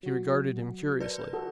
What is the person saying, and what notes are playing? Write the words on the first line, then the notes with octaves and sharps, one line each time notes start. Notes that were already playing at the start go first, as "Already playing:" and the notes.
She regarded him curiously.
F#3 F#4
A#4 B4 D5 G6
F#4 A4